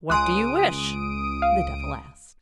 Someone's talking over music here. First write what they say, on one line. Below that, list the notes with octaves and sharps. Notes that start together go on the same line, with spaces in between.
"What do you wish?" the devil asked.
C#2 G#5 C6 D#6 F#6 D7
F5